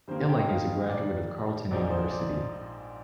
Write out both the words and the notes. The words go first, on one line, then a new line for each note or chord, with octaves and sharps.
Illing is a graduate of Carleton University.
G2 D#3 A#3 C5
C5
G5
D#5
F5
D#5
D5
A#1 G#2 F3 C4 D#4 D5
C5
D5